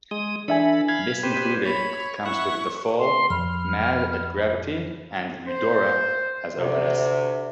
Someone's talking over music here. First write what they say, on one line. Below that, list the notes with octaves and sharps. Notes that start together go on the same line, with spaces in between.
This included Comes With the Fall, Mad at Gravity and Udora as openers.
G#3 D#6
E3 D4 A4 E5 G#5 B5
F5 B5 G#6
G4 B4 C5
C#5 B5
E4 F#5 C#6
C6
F2 B5 F6
C5
D2 C3